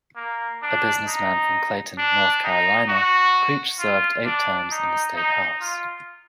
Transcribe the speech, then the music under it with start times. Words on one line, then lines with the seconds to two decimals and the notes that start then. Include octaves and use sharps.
A businessman from Clayton, North Carolina, Creech served eight terms in the state House.
0.16 A#3
0.62 D4
1.08 D#4
1.98 D4
2.44 D#4
2.89 F#4
3.79 F4
4.26 D4
4.71 D#4
5.16 D#4
5.61 F4